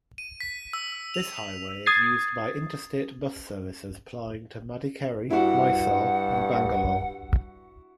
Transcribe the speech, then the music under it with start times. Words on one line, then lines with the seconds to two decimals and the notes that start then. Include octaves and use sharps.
This highway is used by interstate bus services plying to Madikeri, Mysore and Bangalore.
0.18 D#7
0.40 B6
0.73 E6
1.14 F7
1.36 F7
1.86 D#6 G#6 A6 C7
5.30 G2 E4 F#4 F#5